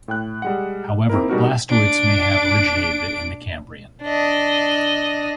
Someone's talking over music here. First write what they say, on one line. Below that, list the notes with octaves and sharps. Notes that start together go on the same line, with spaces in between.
However, blastoids may have originated in the Cambrian.
A2 G5 F#6
G3 G#3 F#5
A#3 C4 D#4 E4 A#4
B2 G3 D#4 F#4 A#4
D4 D7
D4 D#5